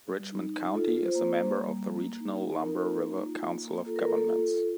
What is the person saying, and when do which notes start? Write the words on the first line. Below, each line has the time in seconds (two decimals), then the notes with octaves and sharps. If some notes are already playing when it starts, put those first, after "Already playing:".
Richmond County is a member of the regional Lumber River Council of Governments.
0.11 G3
0.32 D#4
0.54 D#4
0.74 F4 A4
0.95 F4
1.05 C5
1.15 A#3
1.37 A#3
1.57 G3
1.79 A#3
1.99 A#3
2.20 D#4
2.41 D#4
2.61 D#4 A#4
2.81 A#3
3.02 D#4
3.23 F4
3.44 A#3
3.65 A#3
3.85 F4 A4
3.96 A#4
4.05 A#3 A4
4.17 A4
4.28 F4
4.48 F4